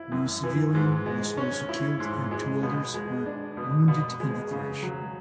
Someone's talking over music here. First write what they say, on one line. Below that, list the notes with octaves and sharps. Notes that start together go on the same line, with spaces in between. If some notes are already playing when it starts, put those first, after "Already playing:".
One civilian was also killed and two others were wounded in the clash.
Already playing: E4
F#2
E3
G#2
G#3
C#4
E4
G#2
G#3
B2
G#3
D4
B2
B2
G#3
C#3
F#3